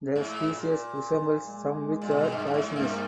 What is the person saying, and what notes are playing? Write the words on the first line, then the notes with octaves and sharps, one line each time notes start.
The species resembles some which are poisonous.
G#2
A#2
G#3
A#2
B2
G2
G2
G#2
G2 A#3